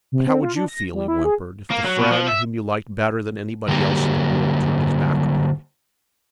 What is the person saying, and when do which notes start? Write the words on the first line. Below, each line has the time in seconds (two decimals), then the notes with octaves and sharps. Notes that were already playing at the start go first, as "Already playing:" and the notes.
"But how would you feel," he whimpered, "if the friend whom you liked better than anybody else in the world, turned his back upon you?"
0.12 C3
0.27 C4
0.42 F4
0.56 D4
0.68 A#6
0.94 G3
1.08 E4
1.25 G#4
1.71 A#3
1.85 F#3
1.98 B2
2.10 F3
2.28 E5
3.68 D3 F#3 G3 A#3 G4